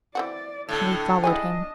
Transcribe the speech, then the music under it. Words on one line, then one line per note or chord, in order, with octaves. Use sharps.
We followed him.
E3 C4 F#4 D5
A2 D3 A4
D4 E4 G#4 D#5 G#5